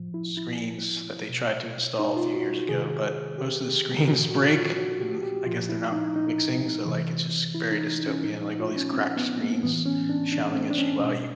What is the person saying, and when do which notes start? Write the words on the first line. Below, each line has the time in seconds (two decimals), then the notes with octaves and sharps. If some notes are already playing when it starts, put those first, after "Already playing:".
screens that they tried to install a few years ago, but most of the screens break, and I guess they're not fixing, so, like, it's just very dystopian, like, all these cracked screens shouting at you while you
Already playing: A2 F3
0.14 E4
0.37 E4
1.30 B2
1.99 D#4
2.17 F4
2.34 F#4
2.69 C3 D#3 G#4
3.38 G4
4.08 A#2 F3 F#4
4.31 F#4
4.54 F4
4.77 F#4
5.00 G4
5.23 G4
5.46 A#2 F3 F4
5.69 E4
5.92 D#4
6.16 D#4
6.85 C3 E3
7.55 E4
7.72 D#4
8.07 C#4
8.24 A#2 F3 D#4
8.41 D#4
8.59 F4
8.76 C#4
8.93 C4
9.17 B3
9.39 A#3
9.63 A2 E3 B3
9.86 C#4
10.09 D4
10.32 D4
10.55 C4
10.70 D4
10.78 C#4
11.01 B2